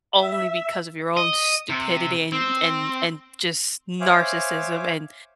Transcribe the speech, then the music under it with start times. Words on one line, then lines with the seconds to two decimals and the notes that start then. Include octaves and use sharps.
only because of your own stupidity and and and just narcissism and
0.14 E5
1.17 D#5
1.69 C3
2.32 C4
4.01 C5 C#5 E5 F5 G#5 D6